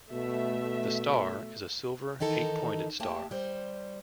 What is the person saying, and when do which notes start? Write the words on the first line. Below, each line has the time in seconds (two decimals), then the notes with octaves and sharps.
The "star" is a silver, eight-pointed star.
0.12 B2 A3 E5
2.20 D#3 E3 D#4 A4 A#4
3.00 A3 A#3 G4 A5
3.31 G3 C5